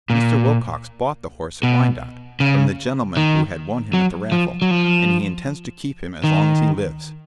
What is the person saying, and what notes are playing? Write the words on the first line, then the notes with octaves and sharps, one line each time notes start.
Mr. Wilcox bought the horse at Wyandotte, from the gentleman who had won him at the raffle, and he intends to keep him as long as he lives.
A#2
B2
C#3
D#3
F#3
F3
F#3
F3
D#3